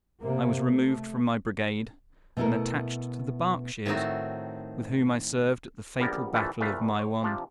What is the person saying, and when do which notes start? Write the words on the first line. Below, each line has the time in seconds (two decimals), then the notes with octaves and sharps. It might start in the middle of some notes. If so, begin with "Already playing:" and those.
I was removed from my brigade and attached to the Berkshires, with whom I served at the fatal battle of Maiwand.
0.21 C3 A#3
0.66 A3
2.37 B2 A3 B3 E4 A4 A#4
3.85 A2 D#3 A3 C4 D#4 F#4
6.00 A#1 G3 B3 A#4 D5 G#5
6.33 A#1 A#2 E3 F3 A3
6.61 C2 A#2 A3 B4 F5
6.95 C5 C#5
7.23 C3 F3 D4